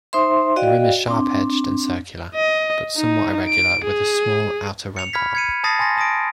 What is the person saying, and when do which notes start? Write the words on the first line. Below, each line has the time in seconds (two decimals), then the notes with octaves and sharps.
The rim is sharp-edged and circular, but somewhat irregular with a small outer rampart.
0.13 D#4 C5 E5 C6
0.56 F#4 D5 D#5 F5 G5
1.08 C4 D4
2.35 D#5
2.97 D#4
3.49 D7
3.84 G#4
4.96 C#7 F7
5.13 B5 F6 G#6 B6
5.35 G#6 C#7 D#7
5.64 A5 B5 D#6 A6 A#6 C7
5.79 G#5 C6 A6 A#6
5.97 A5 D#6 A#6 D7